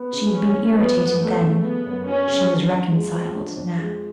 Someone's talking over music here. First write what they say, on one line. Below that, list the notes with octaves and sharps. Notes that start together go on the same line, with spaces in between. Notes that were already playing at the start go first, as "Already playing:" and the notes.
She had been irritated then, she was reconciled now.
Already playing: B3
C#3
G#3 C#4
F3
A3 B3
F#2
F#3 A3
C#3
A3 B3
F#2
F#3 C#4
C#3
D4
F2
G#3
F3
D4
F2
G#3